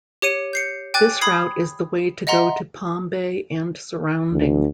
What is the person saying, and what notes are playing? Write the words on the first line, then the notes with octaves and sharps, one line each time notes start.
This route is the way to go to Palm Bay and surrounding.
G4 C#5 C#7 D#7
G6 C7 C#7
G5 G#5 D6 F#6 A6
B5 D#6 G#6 C7
D#5 E5 F#5 A#5 C6
D2